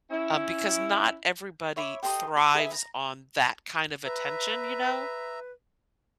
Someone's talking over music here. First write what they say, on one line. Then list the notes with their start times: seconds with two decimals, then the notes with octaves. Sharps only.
um, because not everybody thrives on that kind of attention, you know?
0.10 C#4 E4
1.76 C#5 E5 B5 D6
2.03 G4 A4 D#5 C6
2.36 B5 C6
2.54 G#4 B4 D#5 E5
2.72 A#5
4.05 B4 E5 A#5